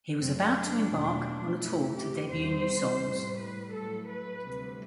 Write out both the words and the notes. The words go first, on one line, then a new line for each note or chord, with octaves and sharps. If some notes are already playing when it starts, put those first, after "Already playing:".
He was about to embark on a tour to debut new songs.
F#2 F#3 A3 C4
D4
E2 B2 F#3 A3
F#2 E3 A3 E4
G4
E2 C3 G3 C5
A2 G3
B4
A2 F#3 A3 A4
B4
D2 C3 G3